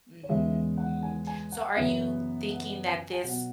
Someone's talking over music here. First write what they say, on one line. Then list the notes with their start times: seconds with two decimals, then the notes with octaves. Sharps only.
Mhm, mhm. So, are you thinking that this
0.23 C#5
0.29 E2 C#3 E3 G#3 B3 E5
0.77 F#5
1.03 G#5
1.27 G#5
1.52 F#5
1.76 F#2 C#3 E3 B3 E5
2.50 F#5
2.86 G#5
3.12 G#5
3.23 B2 F#3 B3 F#5